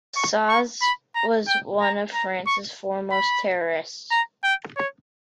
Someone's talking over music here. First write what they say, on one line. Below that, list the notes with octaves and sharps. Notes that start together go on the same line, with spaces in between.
Caze was one of France's foremost terrorists.
C#6
C#6
B5
A#5
G5
A#5
A#5
C#6
B5
A#5
G5
C#5